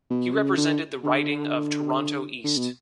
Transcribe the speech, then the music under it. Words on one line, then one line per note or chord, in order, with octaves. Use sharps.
He represented the riding of Toronto East.
B2
C#3
D3
D3
D3
B2